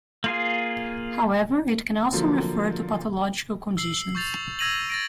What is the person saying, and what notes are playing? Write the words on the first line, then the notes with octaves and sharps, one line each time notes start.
However, it can also refer to pathological conditions.
A#3 F4 G#4
D3 F3 F#3 A#3
E6 C7 F#7
C#6 G6 A6 F7
E6 G#6 A#6 D#7 F7 F#7
A6 A#6 D7